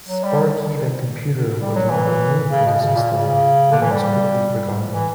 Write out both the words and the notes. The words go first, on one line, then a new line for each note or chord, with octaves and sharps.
Sparky the Computer was not removed from the system and was quickly forgotten.
F#3
G3
G3
F#3
E3
C#3
B2
C#3
A#2
C#3
D3
E3
G3
E3